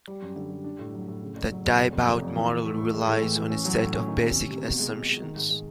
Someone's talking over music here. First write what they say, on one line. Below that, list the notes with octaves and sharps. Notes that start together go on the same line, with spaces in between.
The Tiebout model relies on a set of basic assumptions.
G3
F#2
D3
G3
D4
A2
F#3
A2
C#3
F#1
F#3
F#1
F1
F2
F1
F2
E3
E3
A3
A3
G#3
A2
E3
E3
C#4
F#3
A2
C#4
D#3
C3
C3
C3
B2
G#3
B2
G#3
D#3
G#2
G#3